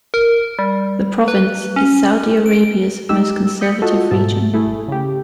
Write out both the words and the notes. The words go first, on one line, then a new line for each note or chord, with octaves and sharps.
The province is Saudi Arabia's most conservative region.
A#4
G3
B4
C#4
D7
G#3 D#4 G4 E6
D#6 G6 B6 C#7
F4 F#4 A4 D#5
G#2 B2 E5 A5
A3 E4 G#4
C#3 G4